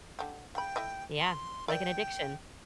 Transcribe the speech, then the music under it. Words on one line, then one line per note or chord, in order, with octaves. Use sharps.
Yeah. Like an addiction.
D3 G4
C#3 G5 B5
A3 E4 D#5
C6
A#4 D5 E5 G5